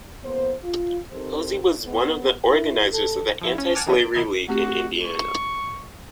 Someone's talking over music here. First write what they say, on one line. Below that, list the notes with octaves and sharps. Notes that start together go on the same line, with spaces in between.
Posey was one of the organizers of the Anti-Slavery League of Indiana.
E2 A#3 B3 C5
F4
C4 D#4 G4 A4 A#4 C5
B3
E4
A4
F3 E4
C#4
F#5 G#5 A5 D6 F6
D#3 E3 F#3 C#4 D4
D7
B2 D#3 D#4 E4 G#6 C7
A3 C4 F#4 G4
C#6